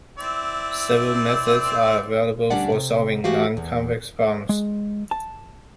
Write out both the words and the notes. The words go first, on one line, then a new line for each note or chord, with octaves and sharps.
Several methods are available for solving nonconvex problems.
C4 E4 D5
D2 G3 C#4 D4 D5 F#5
C3
E3 A3 F#4 G4 F5
E2
G#3
A5